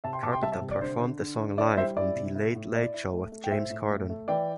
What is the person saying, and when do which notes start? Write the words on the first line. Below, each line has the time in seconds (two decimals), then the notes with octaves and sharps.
Carpenter performed the song live on "The Late Late Show with James Corden".
0.04 C3 E5 A5
0.13 G5 C6
0.23 C3 A5 D6
0.32 G5 C6
0.42 G3 E5 A5
0.52 E5 A5
0.61 C3
0.71 D5
0.81 D3 C5
1.00 D3
1.19 D3
1.38 D4
1.58 E4 D5
1.77 G3 C5 E5
1.97 E4 D5
2.16 C3
2.35 E4
2.55 A2
2.73 E4 D5
2.94 E4
3.13 A3
3.32 A3
3.44 G5
3.51 A2 C5 E5
3.70 A2
3.90 A2
4.10 A3
4.28 E3 D5 G5